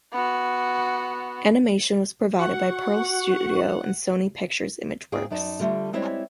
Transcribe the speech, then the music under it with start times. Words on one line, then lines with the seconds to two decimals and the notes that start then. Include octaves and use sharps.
Animation was provided by Pearl Studio and Sony Pictures Imageworks.
0.13 B3 F#4
2.39 F#4 F#5 C#6
5.12 G#2 G#4 F5 G5
5.30 F#2 D#4 D5 A5
5.60 D3 G3 A3 F4
5.93 G#3 C4 E4 C#5 D5 E5